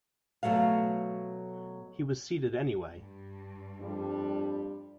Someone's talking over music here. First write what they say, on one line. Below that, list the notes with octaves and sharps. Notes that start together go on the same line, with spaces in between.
He was seated anyway.
B2 F3 F#3 A3 F5
G2
F2 G3 D4